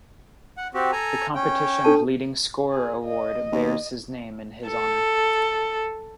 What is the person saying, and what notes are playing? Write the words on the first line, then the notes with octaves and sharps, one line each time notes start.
The competition's leading scorer award bears his name in his honor.
F#5
C4 F#4 G4
A4 G#5 A#5
C#4 G5
D4 A4 A5
G#4
D#5
D#2
A4